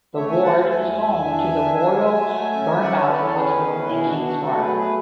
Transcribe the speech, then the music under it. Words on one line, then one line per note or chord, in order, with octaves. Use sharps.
The ward is home to the Royal Bournemouth Hospital and Kings Park.
A3 C#5 E5
E5 G#5
A3 F#5 A5
E5 G#5
E2 E5 G#5
E2
D4
D4
F#3 E5 G#5
F#3
A3
C#4
C#4 D5 F#5
C#5 E5
E2 B4 D5
A4 C#5
C#4 G#4 B4
B2
B2 E4 G#4
D4 F#4
B2
D4 F#4
A3 F#4 A4
G#4 B4
F#3
G#4 B4